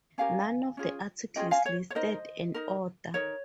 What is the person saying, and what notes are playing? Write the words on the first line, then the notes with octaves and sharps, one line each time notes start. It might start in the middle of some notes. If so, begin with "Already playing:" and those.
None of the articles listed an author.
C#4 G4 A#4 F5 G#5
C#4 F4 G#4
C#4 F4 G#4 D#5 G5
F5 G#5
C#5
C#5
D#4 A#4 C5 D#5
D#4 A#4
D#4 A#4 C#5